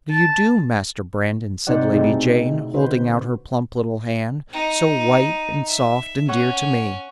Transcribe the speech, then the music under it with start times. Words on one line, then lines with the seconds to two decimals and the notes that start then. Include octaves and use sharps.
"How do you do, Master Brandon?" said Lady Jane, holding out her plump little hand, so white and soft, and dear to me.
0.11 A5
1.67 C3 C4 D#4 C5 D5 F#5
1.91 B2 A3 D#4 E4 G#4
2.74 D3 F#4 B4 C5
4.53 D#4
5.68 E5
6.29 C#4 C#5 F#5